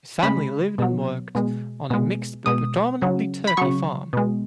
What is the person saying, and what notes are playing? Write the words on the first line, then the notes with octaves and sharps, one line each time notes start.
His family lived and worked on a mixed but predominately turkey farm.
C#3 G#3 B5
B2 F#3
B2 G#3
B2 G#3
B2 G#3 D#6
C#3 F#3
B5
C#3 F#3 C#6
B2 G#3